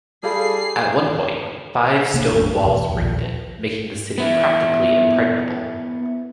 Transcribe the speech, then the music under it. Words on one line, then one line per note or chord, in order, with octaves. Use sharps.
At one point, five stone walls ringed it, making the city practically impregnable.
G3 G#4 A4 F5 B5 C7
C3 A#3 B3 D4
A#1 F2 A2 D4
G2
E2 B2
A#1 D#2 C#3 F3
B3 E4